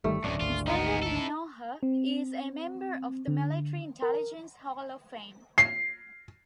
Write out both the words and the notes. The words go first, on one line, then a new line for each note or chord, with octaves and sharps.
General Menoher is a member of the Military Intelligence Hall of Fame.
G1 D#3 G3 A3
D1 F#2 D#3 D4
G#1 D2 F4
D#3 B3 D#4
E4 A4
C4
D3
A#4
C7